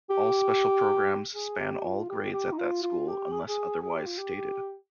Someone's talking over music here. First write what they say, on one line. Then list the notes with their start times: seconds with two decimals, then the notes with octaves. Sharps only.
All special programs span all grades at that school unless otherwise stated.
0.10 G4
1.34 G#4
1.59 G4
1.85 F4
2.09 G4
2.33 G4
2.53 D#4
2.58 F4
2.83 F4
3.08 G4
3.32 G#4
3.48 G#4
3.82 G#4
3.94 G4
4.07 F4
4.18 G4